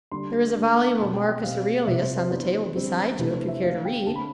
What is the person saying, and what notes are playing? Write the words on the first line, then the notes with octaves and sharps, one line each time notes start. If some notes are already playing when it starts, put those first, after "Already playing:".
"There is a volume of Marcus Aurelius on the table beside you, if you care to read."
D3 G3 D4 C6
D3 A3 D4
B2 A3 C4 A5
G5
G5
B2 G3 C4 F5
C3 G3 C4 E5
C5
C5
E3 B3 D4 C5
D3 G3 C4
C3 E3 A3 D4 B4
C5
E5
D3 A3 D4 F5
G5
D3 A3 C4 A5
B5